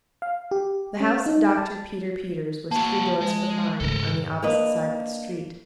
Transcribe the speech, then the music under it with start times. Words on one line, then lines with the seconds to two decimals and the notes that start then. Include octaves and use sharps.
The house of Dr. Peter Peters was three doors from mine, on the opposite side of the street.
0.22 F5
0.51 G4
1.00 C#4
1.26 D#4
1.57 A5
2.71 A#3 F#4 A5
3.21 G#3
3.80 G#2 C#3 A4 A#4
4.42 A#3 D4 B4 D#5